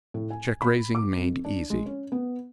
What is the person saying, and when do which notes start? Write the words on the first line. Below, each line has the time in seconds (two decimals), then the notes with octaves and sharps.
Check-Raising Made Easy.
0.14 A2
0.31 G#5
0.62 B5
0.95 D6
1.17 F2
1.45 D4
1.70 G#3
1.86 C#4
2.12 B3